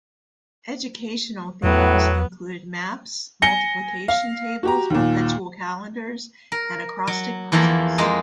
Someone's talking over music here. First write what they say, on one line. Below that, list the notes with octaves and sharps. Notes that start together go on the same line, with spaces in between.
Educational themes included maps, multiplication tables, perpetual calendars, and acrostic puzzles.
E2 A2 F#3 B3
G#5 A#6 C#7 G7
F5
F#4 G4 A#5
D#2 A#2
A#4
F#3
E2 E3 F3 A#3 A4 A#5
F2 G#3 A#3